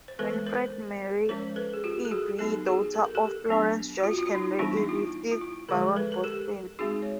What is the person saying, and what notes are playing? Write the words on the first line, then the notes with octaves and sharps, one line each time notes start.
Winifred Mary Irby, daughter of Florance George Henry Irby, fifth Baron Boston.
C5
E3 G#3 B3 A4 B4
A#4 C5
F3 G#3 C#4 A#4 C5
A4 B4
G#4
F4 G4
A4
F#4 G#4
F#3 B3 D#4 G4 A4
F#4 G#4
A4
A#4
G4 A4
F#3 B3 D4
F4
F#4
F4
F#4
D#4 F4
E3 G3 B3 D4 E4
D#4
F4
E4
F4
E4
D3 F3 G#3 G#4 A#4
A4 B4
A#4
G4 A4
G#3 C4 D#4 F#4 G#4
C#5